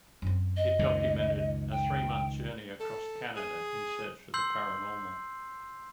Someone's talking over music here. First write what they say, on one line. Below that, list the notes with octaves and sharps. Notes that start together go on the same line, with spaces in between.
It documented a three-month journey across Canada in search for the paranormal.
F#2 C4
D#5
C#2 A#2 D#3
G5
A4
G#4
C6 E6 G6 C7 F#7